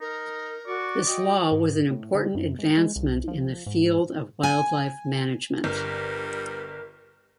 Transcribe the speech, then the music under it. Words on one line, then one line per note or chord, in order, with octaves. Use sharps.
This law was an important advancement in the field of wildlife management.
D#4 A#4
F#4 D5 C#6
F#4 D#5 G5
G#2
A2
D3
F#2
G#2
G#3
C2
F3
G#2
G#5
G1 G3 A#4